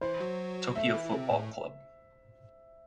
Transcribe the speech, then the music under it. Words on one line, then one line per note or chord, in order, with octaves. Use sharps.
Tokyo football club.
E3 E4 C5
F#3 F#4
A3 A4 E5
E3 E4
C3 C4
A2 A3